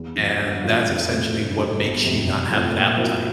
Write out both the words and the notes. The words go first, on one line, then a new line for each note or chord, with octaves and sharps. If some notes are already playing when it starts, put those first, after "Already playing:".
and that's essentially what makes you not have that appetite.
Already playing: E2
D3 F3
G2
E3 A3 C4 F4
F2
D3 A3 C4
C3
G3 D4 A4
G1
F2 C3
C3
F3 A3 C4
A#2
F3 C4 E4 A#4